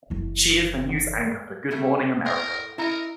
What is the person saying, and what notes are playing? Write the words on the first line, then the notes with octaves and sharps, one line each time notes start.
She is the News Anchor for "Good Morning America".
F#1 E3
D3 G3 A3
A2 A#4 C6
E4 A#4 D#5 E5 A#5